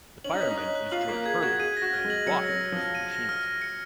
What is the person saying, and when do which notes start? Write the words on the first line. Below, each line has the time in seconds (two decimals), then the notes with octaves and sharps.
The fireman is George Hurley and Watt is the machinist.
0.24 C#4 F#7
0.33 D#4
0.41 C#4 B6
0.51 D#4
0.58 C#4 F#6
0.75 F#6
0.91 F4 F#7
1.08 A#3 B6
1.25 G#4 G#6
1.42 F#4 G#6
1.59 G#4 D#7
1.77 A#6
1.82 F#4
1.93 F6
2.04 G#3
2.10 F#7
2.27 F#3 C#7
2.44 A#6
2.49 F#3
2.60 F6
2.72 F3
2.77 F6
2.95 D#7
3.12 A#6
3.29 F6
3.45 F6
3.62 C#7